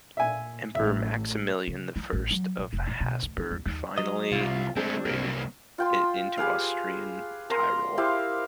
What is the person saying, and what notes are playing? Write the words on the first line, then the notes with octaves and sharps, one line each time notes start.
Emperor Maximilian the First of Habsburg finally incorporated it into Austrian Tyrol.
A#2 E5 G#5
A1 A3 E5
C#3
E3
A1
F#3
A#1
F1
A#2
B2
D2
D#3
E2
D#2
F#3 D#5
C2 F4
G#3 A3 C4 D4
C2 A#3
F4 G5 C6
G4 G#4 B4 F5
A#4 A#5 C6
E4 G4 C5 F5